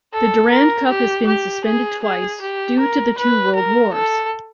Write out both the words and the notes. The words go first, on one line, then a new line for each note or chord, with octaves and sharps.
The Durand Cup has been suspended twice, due to the two World Wars.
A4
A#4
G4
G4
G#4
G#4
G4
A#4
B4
A#4
A4